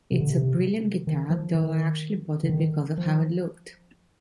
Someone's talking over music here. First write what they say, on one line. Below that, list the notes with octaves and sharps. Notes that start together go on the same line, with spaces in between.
It's a brilliant guitar, though I actually bought it because of how it looked.
C3
D3
C3
D#3
F3
D#3
D3
D#3
F3